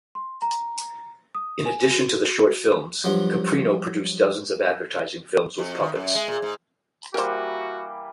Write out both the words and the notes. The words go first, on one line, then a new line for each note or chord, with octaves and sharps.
In addition to the short films, Caprino produced dozens of advertising films with puppets.
C6
A#5
D#6
G#5
F#4
G2 F3 F#3
F2
D#3
F#2
G#3
A#2
G#2
E3 G3 A#3 F#4 A#4 C5